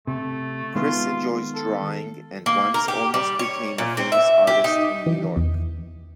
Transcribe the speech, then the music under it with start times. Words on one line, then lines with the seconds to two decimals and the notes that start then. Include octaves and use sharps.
Chris enjoys drawing and once almost became a famous artist in New York.
0.07 C3 A3
0.75 D#3 G#3 B3 F4
1.55 A4
2.46 A#3
2.74 A#4
2.88 G4
3.14 G3
3.39 C#5
3.78 A#2
3.97 C4
4.12 E5
4.47 G4
4.64 D#4
5.06 E3
5.36 E2